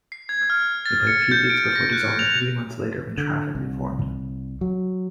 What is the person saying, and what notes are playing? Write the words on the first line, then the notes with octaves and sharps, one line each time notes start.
They played a few gigs before dissolving three months later when Traffic reformed.
C7
G#6
F6
A6
C#7
G6
D7
A#6
F#6
F7
D3
C2
F#3